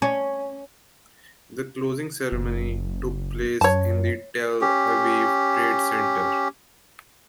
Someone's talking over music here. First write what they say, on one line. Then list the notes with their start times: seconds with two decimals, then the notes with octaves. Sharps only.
The closing ceremony took place in the Tel Aviv Trade Center.
0.02 C#4
2.32 F#1
3.61 F#2 C#5 A5
4.61 C#4 G4